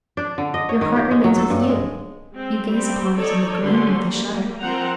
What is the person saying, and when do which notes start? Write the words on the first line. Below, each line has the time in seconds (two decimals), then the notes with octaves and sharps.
Your heart remains with you, you gaze upon it in the gloom with a shudder.
0.17 D4
0.38 D3
0.54 D#5
0.69 C#5
0.81 D#3
0.96 G4
1.11 G#3
1.24 F#3
1.38 A4
1.50 G2
1.69 G#3
2.32 G#3 C4
2.65 G3 C4
3.17 D#4 A4 C#5 D5
3.61 D3 F#3 B3 C#4 B4 C6
3.94 G3 A#3
4.61 F3 C4 A#4 C5 F#5 A#5